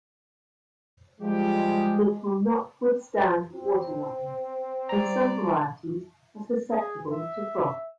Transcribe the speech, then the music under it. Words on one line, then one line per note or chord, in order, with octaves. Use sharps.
It will not withstand waterlogging and some varieties are susceptible to frost.
F3 G3 G#3 G4
C4
G3 D5 A#5
G#4
E5